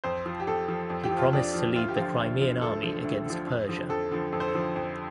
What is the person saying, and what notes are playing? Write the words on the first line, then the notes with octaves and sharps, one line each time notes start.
He promised to lead the Crimean army against Persia.
F2 C5
F3
G4
F2 A4
F3
F2
G4
F3
F4
F2 D4
F3
D2 F4
G4
D3 F3 F4
D2
D3 F3
D2 A4
D3 F3
D2
D3 F3
F2
D3 F3
F2 A4
D3 F3
F2 A4
C5
A4
D3 F3
F2